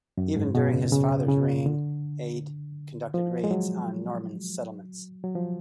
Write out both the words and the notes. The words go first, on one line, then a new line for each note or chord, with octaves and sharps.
Even during his father's reign Aedh conducted raids on Norman settlements.
F#2
G#2
B2
C#3
C#3
C#3
D3
F3
G#3
F#3
F#3
F3